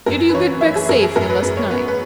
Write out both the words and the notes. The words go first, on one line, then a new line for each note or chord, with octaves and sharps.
Did you get back safely last night?
F#2 A#4
B4
E3 C#5
E3 E5
G#4
F#2 A#4
G#4
F#2 A#4
B4
F#2 B4
C#5
B3 B4
B4